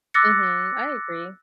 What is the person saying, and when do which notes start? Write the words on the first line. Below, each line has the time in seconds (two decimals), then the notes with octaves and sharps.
Mhm. I agree.
0.14 D6 E6 F#6 A6 A#6 C#7